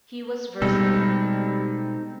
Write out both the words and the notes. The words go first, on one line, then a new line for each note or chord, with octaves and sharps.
He was versatile.
B2 G3 G#3 C4 D#4 A4